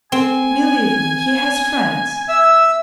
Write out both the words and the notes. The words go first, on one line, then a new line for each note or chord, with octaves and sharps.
Believe me, he has friends.
C4 G#5
E5 E6